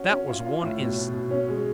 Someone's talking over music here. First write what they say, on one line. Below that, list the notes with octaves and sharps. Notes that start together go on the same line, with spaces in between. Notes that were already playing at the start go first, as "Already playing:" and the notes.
That was one instance.
Already playing: C#4 F#4
C#4
F4
F4
A2
B2
B2
B2
C#4
G#3